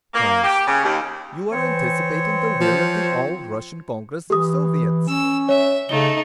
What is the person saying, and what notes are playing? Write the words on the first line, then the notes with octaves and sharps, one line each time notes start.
Cries, "You are anticipating the will of the All-Russian Congress of Soviets!"
A#3
G4
C#3
D#2
E3 C4 C#5
F3
E3 G4 D#6
C#4 E6
C#5 E5
C#3 A3 D#4 G7